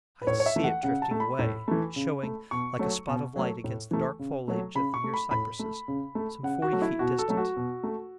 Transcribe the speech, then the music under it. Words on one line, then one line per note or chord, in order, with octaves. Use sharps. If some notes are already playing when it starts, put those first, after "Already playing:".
I see it drifting away, showing, like a spot of light, against the dark foliage of the near cypresses, some forty feet distant.
B4
A2 C#5
C#5
E5
E3 A3
F#5
C#3 F#5
A5
A3
B5
A2
E3 A3
C#3
A3
B2 C#6
F#3 A3
B2
F#3 A3
A2
E3 A3
C#3
F#3 A3
C#3 B5
C#6
A3
B5
A2 B5
A3
C#3
A3
C#3 F#5
F#4
F#3 A3
E4
B2 F#4
A4
F#3 A3
F#4
B2
A3